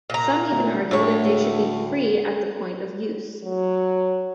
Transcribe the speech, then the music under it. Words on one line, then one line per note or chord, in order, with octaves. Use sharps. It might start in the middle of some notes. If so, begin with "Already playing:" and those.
Some even argue that they should be free at the point of use.
A#2 A#5
D2
D2 A2 C#5
F#3